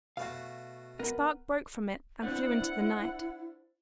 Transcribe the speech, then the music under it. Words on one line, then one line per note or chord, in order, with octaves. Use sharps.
A spark broke from it and flew into the night.
B2 A3 F#4 F5
B3 A#4 B4
C4 D4 E4 B4 F#5